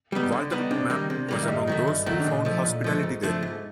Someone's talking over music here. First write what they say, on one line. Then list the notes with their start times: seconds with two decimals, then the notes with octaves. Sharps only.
Walter Map was among those who found hospitality there.
0.12 G3 B3 D#4
0.32 D3
0.51 G3 B3 D#4
0.70 C3 D4
0.90 D#3 G3 A#3
1.10 C3
1.28 D#3 G3 A#3
1.43 E4
1.48 G2 D#4
1.67 D#3 F#3 A3
1.87 G2
2.06 D#3 F#3 A3
2.20 D4
2.25 A#2 D#4
2.45 F3 A3
2.65 A#2
2.84 F3 A3
3.03 G#2
3.23 F3 A3 D4
3.43 G#2